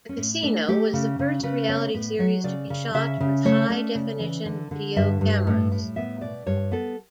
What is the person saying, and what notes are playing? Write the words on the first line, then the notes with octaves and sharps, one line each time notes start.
"The Casino" was the first reality series to be shot with high-definition video cameras.
C#4
A2
A3 D4
A3 G4
C#3
C#3
C#3 B4
B3 C#5
A2 B4
F#3 C#5
C#3 D5
C#3
C#3 E5
C#3
A3 C#5
C#4 D5
C#3
E3
D3
D3
G2 E5
G2
A2
A2
B3 E5
B2 D5
G2 C#5
B3 A4